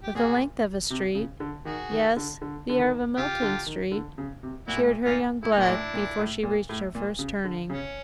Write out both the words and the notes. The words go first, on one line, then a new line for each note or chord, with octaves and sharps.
But the length of a street--yes, the air of a Milton Street--cheered her young blood before she reached her first turning.
G4
A#2 F#4 G#4
C3
C#3
D3
D#3 F#4 G#4
D#3
D3
D3
D3
D#3
C#3 F4 G4
D3
D#3
D3
C#3
C3
A#2 E4 F#4
A2
A#2
A#2 D#4 F4
A2 E4
D#4
A#2 D4 E4
A2
A#2
A2
A#2
A2
A#2
C#3
D3
C#3 C#4